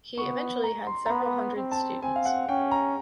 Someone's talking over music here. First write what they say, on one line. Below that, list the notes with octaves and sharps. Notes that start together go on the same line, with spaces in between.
He eventually had several hundred students.
B3 C#6
A#5
C6
A#5
B3 B5
C4
A5
C4 G#5
F5
F#5
C#4 G5
A#5